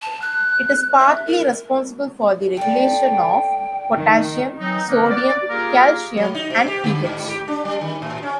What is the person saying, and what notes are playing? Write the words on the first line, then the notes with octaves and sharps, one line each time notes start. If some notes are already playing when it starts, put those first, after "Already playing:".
It is partly responsible for the regulation of potassium, sodium, calcium, and pH.
A5
F#6
E5
A#4
A4 D5 G5
D#3
E3 F#3 C4 D#4
D3 A#3 A#4 B4 D#5 F#5
D5
A#3 F4 G4 G#4 A#4
F#3
D#4
C3
G4
D3
G#2
G4
D4
G3
D#3
A2
C#4